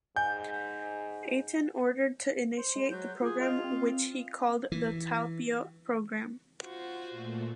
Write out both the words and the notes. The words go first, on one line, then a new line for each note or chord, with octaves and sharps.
Eitan ordered to initiate the program which he called the Talpiot program.
G#2 G#5 G6
C5
G#3
F#3 G6
F4 G#4
F4 D#5
C4
E3
F4 F#4 C5
A#2 A3